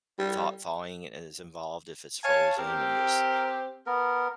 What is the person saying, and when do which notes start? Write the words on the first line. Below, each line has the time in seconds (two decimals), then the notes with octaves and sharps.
thaw thawing is involved if it's frozen and there's
0.19 G3
2.24 C#5 F5 G#5 A5
2.58 C4 G4 A#4
3.86 B3 A#4